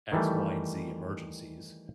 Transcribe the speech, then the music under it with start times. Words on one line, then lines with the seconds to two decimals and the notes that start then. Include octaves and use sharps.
x, y, and z emergencies.
0.12 D#3 E3 G3 A3